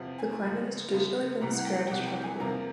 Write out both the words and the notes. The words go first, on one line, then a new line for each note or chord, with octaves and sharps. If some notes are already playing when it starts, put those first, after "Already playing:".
The climate has traditionally been described as tropical.
Already playing: E2 C3 F3
G#5
F#2 C#3 F3 A3
F#2 C#3 F3 A3
C2 C3 E3 G3 B3 A#5
F#5
G5
G5
C2 C3 E3 G3 B3 F#5
G5
G#5
E2 C3 F3 A#3 A#5